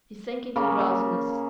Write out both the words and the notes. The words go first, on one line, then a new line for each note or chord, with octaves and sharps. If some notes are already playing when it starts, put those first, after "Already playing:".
He sank into drowsiness.
C#3 A#3